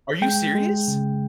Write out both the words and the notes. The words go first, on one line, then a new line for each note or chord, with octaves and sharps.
Are you serious?
G#3 G5
G#3
C#3